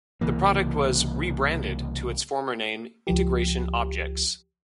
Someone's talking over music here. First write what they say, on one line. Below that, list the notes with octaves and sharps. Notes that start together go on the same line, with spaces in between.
The product was re-branded to its former name "Integration Objects".
C2 C#3 E3 A#3
C#2 F3 G4